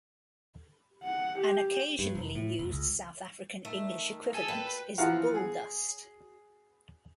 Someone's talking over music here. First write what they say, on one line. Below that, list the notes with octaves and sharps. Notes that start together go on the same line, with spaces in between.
An occasionally used South African English equivalent is "bull dust".
F#5
G4
G2
F1
A2
F1
C#2
D#3 A3
G#4 A4 G#5
A#2 B4 G5
E3 F3 F4 F5 F#5 A#5
G#4